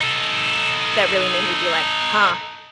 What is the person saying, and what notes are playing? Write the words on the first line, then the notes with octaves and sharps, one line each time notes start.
that really made me be like, "Huh,
D#4 A4